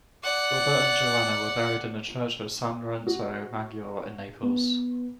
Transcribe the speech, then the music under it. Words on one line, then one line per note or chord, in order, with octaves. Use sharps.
Robert and Joanna were buried in the church of San Lorenzo Maggiore in Naples.
D5 F#5
F#4
B3